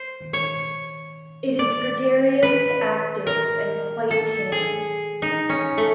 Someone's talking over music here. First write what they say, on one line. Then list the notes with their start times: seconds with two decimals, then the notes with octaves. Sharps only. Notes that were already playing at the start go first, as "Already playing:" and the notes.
It is gregarious, active and quite tame.
Already playing: C5
0.33 C#5
1.59 D5
2.43 B4
3.27 A#4
4.11 A4
4.52 G#4
5.22 D#4
5.49 C#4
5.78 A3